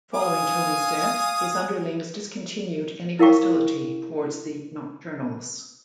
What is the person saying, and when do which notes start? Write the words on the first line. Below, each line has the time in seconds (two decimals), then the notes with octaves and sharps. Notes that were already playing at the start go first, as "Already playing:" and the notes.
Following Tony's death, his underlings discontinued any hostility towards the Nocturnals.
0.14 F5 G#5 D#6
3.19 E4 A#4 F5 G5 C#6